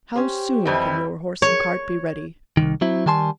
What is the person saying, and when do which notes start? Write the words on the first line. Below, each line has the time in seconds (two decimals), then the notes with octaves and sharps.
"How soon can your horse and cart be ready?"
0.16 C#4 G4 C5
0.65 F2 E3 G3 C4
1.42 C#5
2.57 C2 F2 D#3
2.81 F#3 C4 E4
3.06 D#3 G3 G#5 A5 C6